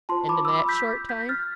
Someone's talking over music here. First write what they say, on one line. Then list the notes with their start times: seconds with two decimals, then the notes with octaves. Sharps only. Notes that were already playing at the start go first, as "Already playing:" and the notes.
And in that short time!
0.09 F4 C5 A5 C6
0.29 B5 D6
0.45 E6
0.49 B5 D6
0.69 G6 B6
1.09 G6 B6
1.29 F6 A6